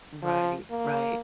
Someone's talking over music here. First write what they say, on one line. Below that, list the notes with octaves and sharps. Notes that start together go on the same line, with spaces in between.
Right, right.
F3
A#3